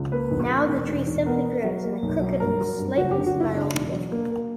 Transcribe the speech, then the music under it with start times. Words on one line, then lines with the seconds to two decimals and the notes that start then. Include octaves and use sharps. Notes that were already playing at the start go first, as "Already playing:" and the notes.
Now the tree simply grows in a crooked and slightly spiral shape.
Already playing: C#2
0.11 A#3 B4
0.31 A#1
0.50 A#3
0.69 E1
0.88 E1
1.07 E1
1.26 B3 A#4
1.45 B3
1.64 F#3
1.83 A#3
2.02 B1
2.21 F#3
2.40 G2 A#4
2.60 F#3
2.78 G2
2.97 F#1 F#4
3.11 G4
3.16 D3
3.26 F#4
3.35 F#1
3.40 E4
3.54 C#3 D4
3.74 E1
3.92 F#3
4.11 A#3
4.30 A#3